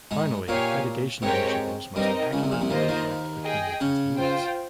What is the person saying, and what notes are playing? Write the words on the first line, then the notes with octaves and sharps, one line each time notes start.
Finally, mitigation initiatives must accurately reflect the community's needs.
G#2 G#3
A#2 A#3 G4 C#5 F5 G#5
G#2 G#3 C4 G4 A#4 C#5 G5
G2 G3 C4 D#4 A#4 D#5
C#2 C#3
C2 C3
A#1 A#2
C2 C3
D#2 D#3 A#3 F4 C5 D#5
D#2 D#3
G#4 D#5 G5
C#3 C#4
F4 C5 G5